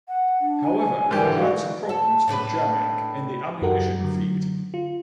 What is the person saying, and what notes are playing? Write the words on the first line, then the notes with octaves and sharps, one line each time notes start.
However, it had some problems with jamming in the ammunition feed.
F#5
D4
G#5
G#2 D3 E3 G3 G4 A#4
F#4 F5
A4
A2 D4 B4
F#2 F#4 G4 A4 A#4 F#5
D3 F#3
F4